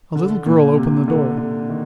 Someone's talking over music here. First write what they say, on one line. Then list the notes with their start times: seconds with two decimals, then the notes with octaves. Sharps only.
A little girl opened the door.
0.15 D3
0.46 A#2
0.77 C3
1.08 D3
1.37 D3
1.69 D#3